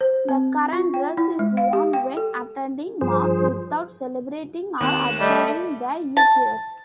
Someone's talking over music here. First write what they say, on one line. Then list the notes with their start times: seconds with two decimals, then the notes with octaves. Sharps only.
The current dress is worn when attending Mass without celebrating or observing the Eucharist.
0.01 C5
0.29 C4
0.73 F4
0.94 G5
1.17 E4
1.39 G#3
1.57 F5
1.73 G4
1.93 G5
2.17 A4
3.01 G2 F3 G#4 C5
4.81 D#2 C4 F#6 E7
5.20 G3 A3 D#5
6.17 A5